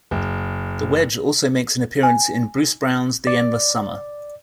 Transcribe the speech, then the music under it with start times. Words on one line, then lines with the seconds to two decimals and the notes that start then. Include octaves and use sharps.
The Wedge also makes an appearance in Bruce Brown's "The Endless Summer".
0.11 F#1
2.03 G#5
3.27 D5